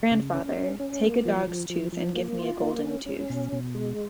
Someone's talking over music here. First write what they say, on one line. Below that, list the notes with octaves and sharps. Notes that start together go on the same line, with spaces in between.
Grandfather, take a dog's tooth and give me a golden tooth.
C#3
C#4
C#4
C#4
A#3
F3
F3
F3
F3
A#3
F4
A#3
C#4
C#4
B2
B2
G#3